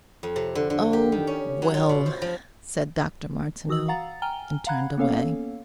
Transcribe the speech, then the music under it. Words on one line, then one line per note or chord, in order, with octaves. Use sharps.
"Oh!--WELL!" said Dr. Martineau and turned away.
F2
C3
D3
D3
G4
D#3
C#4
F#3
F4
B2
C5
F3
E3 F#4 D#6 E6 F#7
F5 F#5 A#5 A6
G5 G#5 A#5 F6 G7
F5 F#5 A#5 B5 F#6 G#6
A#3 B3 C#4 A4 C#5 F5